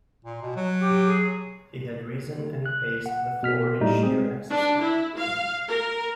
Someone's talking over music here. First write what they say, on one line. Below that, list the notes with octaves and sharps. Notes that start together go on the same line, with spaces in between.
He had risen and paced the floor in sheer ecstasy.
A#2
B2
F#3
G4
G#4
F#6
F#5
B2 F6 B6
A2 G3 A3 D#4
G#3 C4 G#4
D4
E4
F5
A#4